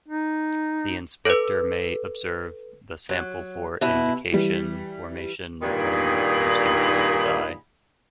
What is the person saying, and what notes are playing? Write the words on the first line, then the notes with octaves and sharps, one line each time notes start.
The inspector may observe the sample for indication formation when using visible dye.
D#4
A4 B4
F#3
B2 E4
E3 G3
G2 A#2 D#3 D#4 G#4 B5